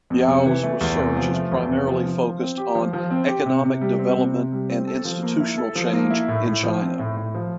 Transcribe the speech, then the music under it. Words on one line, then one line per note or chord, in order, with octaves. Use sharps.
Yao’s research is primarily focused on economic development and institutional change in China.
F2
C3
E3
A3
E2
C3
F3
A3
E2
C3
F3
F3
F3
C4
G4
F3
F3
C4
G4
C3
C3
G3
C4
C3
C3
G3
C4
A4
F3
A#3
E4
A4
F3
A#3
E4
A2
A2
F3
C4
A2
A2
F3